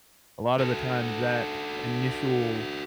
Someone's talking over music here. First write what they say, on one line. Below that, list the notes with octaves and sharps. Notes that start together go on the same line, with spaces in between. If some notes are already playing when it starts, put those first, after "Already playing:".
a lotta the time that initial
F#4 A4